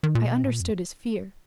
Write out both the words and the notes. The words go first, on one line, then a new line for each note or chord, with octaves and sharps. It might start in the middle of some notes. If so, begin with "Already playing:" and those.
I understood his fear.
D#3
A#2
B2
G#2
A#2
F2